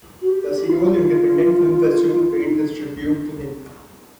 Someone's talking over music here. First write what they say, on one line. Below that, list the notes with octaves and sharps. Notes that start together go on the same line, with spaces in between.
The Seoul Independent Film Festival paid this tribute to him.
F#4
G4
F#4
F4
D#4